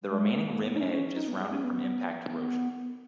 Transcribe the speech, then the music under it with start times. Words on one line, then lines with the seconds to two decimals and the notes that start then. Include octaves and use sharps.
The remaining rim edge is rounded from impact erosion.
0.11 G#3
0.34 A#3
0.50 A#3
0.65 B3
0.76 D#4
0.81 C#4
0.93 C#4
1.16 D#4
1.28 B3
1.40 G#3
1.52 C#4
1.64 B3